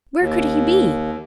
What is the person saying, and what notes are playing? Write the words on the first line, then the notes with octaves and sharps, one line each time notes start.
Where could he be?
D#2